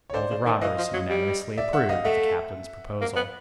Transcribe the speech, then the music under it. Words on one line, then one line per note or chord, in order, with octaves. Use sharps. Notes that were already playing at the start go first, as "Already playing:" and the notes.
All the robbers unanimously approved of the captain's proposal.
C#5
D3 C5 D5
C#3
D#3
E3 D#5 F5
F3
F#3
G3
D5 E5
E5 F#5
D#5 F5
A3 E5 F#5
A#3
B3